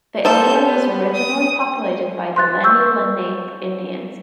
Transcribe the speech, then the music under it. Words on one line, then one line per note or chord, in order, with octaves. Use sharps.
The area was originally populated by the Lenni Lenape Indians.
G3 A4 C5 G6
B3
D#6
C6 F#6 A6
C#6 E6 G6